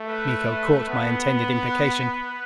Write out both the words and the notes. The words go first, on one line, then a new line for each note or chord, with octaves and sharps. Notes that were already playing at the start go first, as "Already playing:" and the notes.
Miko caught my intended implication.
Already playing: A3
B4
B3
B4